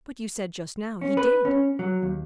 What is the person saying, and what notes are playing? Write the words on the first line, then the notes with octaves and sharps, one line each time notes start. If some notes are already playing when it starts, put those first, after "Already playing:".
"But you said just now he did."
C#4
B4
C#4
F#3
D#2